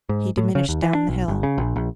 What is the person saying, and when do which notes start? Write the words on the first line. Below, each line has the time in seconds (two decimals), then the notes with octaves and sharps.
He diminished down the hill.
0.09 G#2
0.37 A2
0.55 C#3
0.69 D#2
0.82 E3
0.95 D4
1.09 B1
1.28 G1
1.43 C#3
1.58 A#1
1.76 A#1